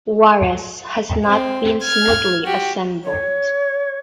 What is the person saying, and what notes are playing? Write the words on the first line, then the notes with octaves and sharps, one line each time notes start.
"Juarez" has not been smoothly assembled.
C4
F6 G#6
F#4 G4
C#5